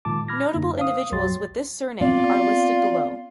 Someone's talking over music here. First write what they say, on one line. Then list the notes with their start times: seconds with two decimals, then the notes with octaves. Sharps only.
Notable individuals with this surname are listed below.
0.05 A#2 D#3 G#3 F4 A5 D6
0.28 B5 F6 G#6 A#6
0.52 F#2 D3 A#3 D#4
0.77 C5 F5 D#6
1.12 B1 F#2 F#3 G4 C6 A6
2.01 B3 C4 F4 D5